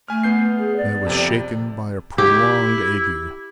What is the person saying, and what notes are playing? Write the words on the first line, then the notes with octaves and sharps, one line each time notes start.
Then it was shaken by a prolonged ague.
A3 G#5 F6
B3 G6 C7
G#4
D5
F2 C3
E4 G4